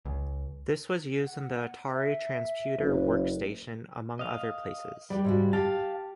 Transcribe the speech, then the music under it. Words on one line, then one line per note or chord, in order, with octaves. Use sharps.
This was used in the Atari Transputer Workstation, among other places.
C#2
F#5
E5
F#1 B4
D#5 F5
G3 G4 B4 D5
G#2 C#3 F#4
G4 F5 A5